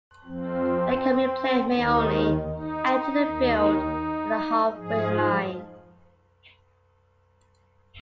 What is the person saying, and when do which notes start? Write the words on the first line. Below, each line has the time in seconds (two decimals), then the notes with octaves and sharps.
The incoming player may only enter the field at the half-way line.
0.24 F2 F3 C4
1.75 D#2 D#3 D#4
2.50 D#4
3.26 D#2 D#3
4.75 G#2 F3 G#4